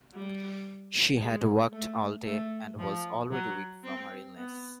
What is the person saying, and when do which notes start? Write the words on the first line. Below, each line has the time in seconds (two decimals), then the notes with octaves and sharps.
She had walked all day and was already weak from her illness.
0.14 G3
1.19 G#3
1.72 A3
2.25 A3
2.79 F3
3.31 F#3
3.84 C4
4.37 B3